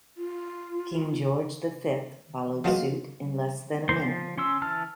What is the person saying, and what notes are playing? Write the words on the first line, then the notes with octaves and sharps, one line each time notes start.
"King George the Fifth" followed suit in less than a minute.
F4
F3 F#3 G#3 A#3 F4 B4
A#3 C5 C6
F3
C#4 C6 E6
E3 A5 E6 F6